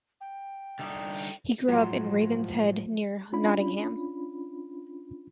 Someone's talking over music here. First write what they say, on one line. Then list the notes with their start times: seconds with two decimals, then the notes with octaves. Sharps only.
He grew up in Ravenshead, near Nottingham.
0.21 G5
0.79 D3 G3 D#4
1.69 A2 F3 F#3 G#3 F4 F#5 C6
3.33 C#4 D4 F4 B5